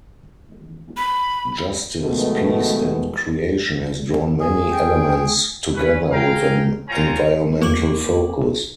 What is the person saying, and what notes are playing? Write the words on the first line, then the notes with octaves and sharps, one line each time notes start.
Justice, Peace and Creation has drawn many elements together with an environmental focus.
B5
B2 D#3 F3 G#3 A3 B3
G#4
G5
C#4 B4
F5 G5 G#5 A#5
C4 F4 A#4 C#5 G#5 A#5
A#3 A#4 C#6 D6 F#7